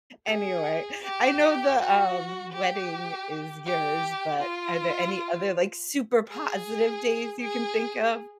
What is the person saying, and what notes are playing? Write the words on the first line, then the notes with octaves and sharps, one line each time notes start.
anyway, I know the, um, wedding is yours, but are there any other, like, super positive days you can think of?
G#4
G4
F#4
G4
G4
F4
G#4
G#4